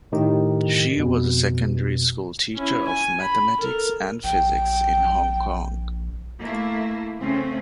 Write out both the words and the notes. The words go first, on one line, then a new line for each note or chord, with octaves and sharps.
She was a secondary school teacher of mathematics and physics in Hong Kong.
A2 D#3 D#4 G4
F2 B2
C#4 E4
G#5
B5
A4 A#4
A#1 G5
A3 A#3 E4
C#3 A3 C4 C#4